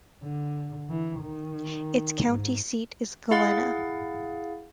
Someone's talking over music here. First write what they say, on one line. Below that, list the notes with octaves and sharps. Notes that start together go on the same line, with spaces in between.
Its county seat is Galena.
D3
E3
D#3
G#2
E4 G#4 F5 F#5 A6